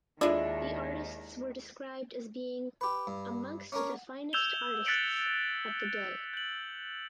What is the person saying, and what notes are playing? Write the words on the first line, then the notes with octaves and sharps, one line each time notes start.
The artists were described as being "amongst the finest artists of the day".
D#2 D#3 G#3 D4 E4 F4
G4 B4
G2
C#4 D4 A#4 C#5
E6 G6 G#6 E7 F7 G7
F#6 A6 B6 C#7 D7 F#7
G6 F#7